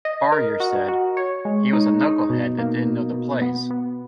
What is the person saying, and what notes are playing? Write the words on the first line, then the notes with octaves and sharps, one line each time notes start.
Farrior said, He was a knucklehead that didn't know the plays.
D#5
A#4
F#4
F#4
C#5
G#3
D#4
D#4
B2
A#3
B2
B2
B3
B3